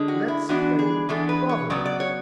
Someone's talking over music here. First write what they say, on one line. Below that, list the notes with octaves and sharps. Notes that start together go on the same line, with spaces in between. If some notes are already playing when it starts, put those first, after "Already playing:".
"Let's play proverbs."
Already playing: D3 G#3 C#4
F#4
E4
E3 G#3 B3 D4 F#4
G#4
E3 G#3 B3 D4 A4
B4
C#5
C#3 F#3 B3 D5
D5
C#5